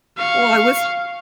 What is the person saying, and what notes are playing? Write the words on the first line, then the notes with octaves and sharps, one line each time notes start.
Well, I wish
F5 C#6